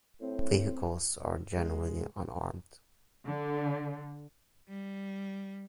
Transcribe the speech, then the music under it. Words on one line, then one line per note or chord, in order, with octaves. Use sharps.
Vehicles are generally unarmed.
A2 C4
G#3
D3
G3